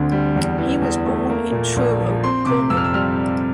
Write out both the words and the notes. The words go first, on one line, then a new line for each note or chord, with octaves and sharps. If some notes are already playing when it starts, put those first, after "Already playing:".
He was born in Truro, Cornwall.
Already playing: D2 D3 C4
G3
E2
E3
E2
A3
A#3
A#2
A#1
F3
C4 C6
C3 D6
F2 E6
F6
E6
G3 F6